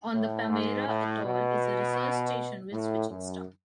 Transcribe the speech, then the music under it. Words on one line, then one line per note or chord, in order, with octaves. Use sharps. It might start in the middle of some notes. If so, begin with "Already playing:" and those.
On the Palmyra-Atoll is a research station with switching staff.
A2
G#2
A2
B2
A2
F#2